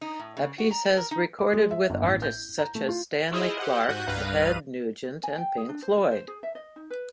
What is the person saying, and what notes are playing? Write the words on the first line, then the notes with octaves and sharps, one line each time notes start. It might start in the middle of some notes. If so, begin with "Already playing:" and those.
Appice has recorded with artists such as Stanley Clarke, Ted Nugent, and Pink Floyd.
D#4
A2
C#3
F#4
A#5
A5
A#4
D#4
D6
G#3
E5
G1
A1
G6
A#5
A3
F4
E4 F4 G#4 C5 D#5
G4 C5 F#5
G#2 F#4 F#5 F#6 G6 D#7
C2 G2 B4 F5 A#5 D#7
G#5
G5
G#4
D4
C5
F4
C5
G#4
E5
D#5
D#4
B4